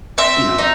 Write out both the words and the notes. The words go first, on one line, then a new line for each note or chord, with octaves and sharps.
you know,
C4 E5
D#4